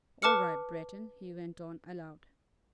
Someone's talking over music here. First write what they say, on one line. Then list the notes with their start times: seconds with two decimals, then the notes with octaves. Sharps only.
"All right, Breton," he went on aloud.
0.22 B4 A5 D6 F6 C#7